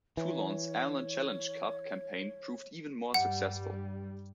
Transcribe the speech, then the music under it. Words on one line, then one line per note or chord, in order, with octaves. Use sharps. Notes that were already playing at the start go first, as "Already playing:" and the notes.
Toulon's Amlin Challenge Cup campaign proved even more successful.
E3 C#5
G2 G3 F#5